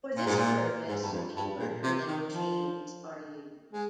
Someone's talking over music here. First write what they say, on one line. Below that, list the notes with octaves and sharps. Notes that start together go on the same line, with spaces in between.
For this purpose paper drilling machines are used.
A#2
G#2
A#2
G#2
G2
F2
G2
A#2
C3
D#3
F3
G#3